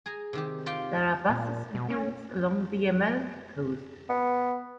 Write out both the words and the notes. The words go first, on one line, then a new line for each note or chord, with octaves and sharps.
There are buses and ferries along the Amalfi Coast.
G#4 G#5 A#5
C3 D#3 G4
F4 G4 F5 G5
A#2
B2
C#4
B3